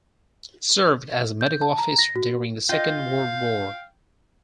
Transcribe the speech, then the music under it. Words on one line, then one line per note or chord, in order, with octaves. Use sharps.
Served as a medical officer during the Second World War.
G6
A5
A#5
A#6
F#4
F4 D#5 F5 G5